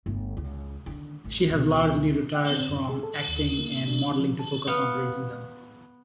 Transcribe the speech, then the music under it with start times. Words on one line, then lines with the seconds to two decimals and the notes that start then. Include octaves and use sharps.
She has largely retired from acting and modelling to focus on raising them.
0.06 G1 A3
0.37 C#2
0.86 D3 D#3
1.24 A1 A3
1.50 D2 B2
2.34 G5
2.51 C4
2.69 F#2
2.89 G#4
3.03 A4
3.28 D#2
3.58 A#3
3.88 D4
4.19 F3
4.39 A5
4.67 B3 F5 C6